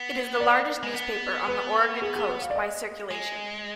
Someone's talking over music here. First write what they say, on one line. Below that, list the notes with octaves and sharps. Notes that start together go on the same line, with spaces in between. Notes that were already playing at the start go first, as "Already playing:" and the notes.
It is the largest newspaper on the Oregon coast by circulation.
Already playing: B3
D5
G#3
B3
B4
G#4
G#4
B4
F5
D5
D#5
G#3